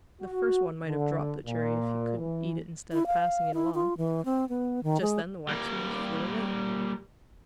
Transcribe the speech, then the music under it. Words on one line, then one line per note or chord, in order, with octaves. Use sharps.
"The first one might have dropped the cherry if he couldn't eat it instead of passing it along." Just then the Waxwings flew away.
F#4
D3
A#2
E3
E4
F5
E4
F4
E3
C4
B3
D#3
G#3
G3 A#3